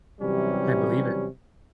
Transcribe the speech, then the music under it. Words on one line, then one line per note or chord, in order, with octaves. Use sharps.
I believe it.
C3 E3 F#3 G3 C#4